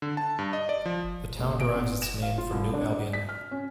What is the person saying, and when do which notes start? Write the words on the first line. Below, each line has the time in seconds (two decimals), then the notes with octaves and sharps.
The town derives its name from New Albion.
0.02 D3
0.17 A5
0.39 G2
0.53 D#5
0.69 D5
0.85 F3
1.38 D#1
1.60 D7
1.76 B3
2.02 E7
2.22 F5
2.38 F4
2.52 C2
2.74 D4
2.93 D5
3.13 B6
3.29 F6
3.51 C#4